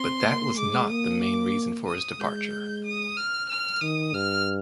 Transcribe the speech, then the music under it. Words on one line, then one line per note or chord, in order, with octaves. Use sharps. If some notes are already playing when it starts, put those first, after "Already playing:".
But that was not the main reason for his departure.
Already playing: C4 C6
A#3
G#3 D6
A#3 D#6
D6
D#6
G#3 G6
D#6
F6
F6
D#3 D#6
G2 F6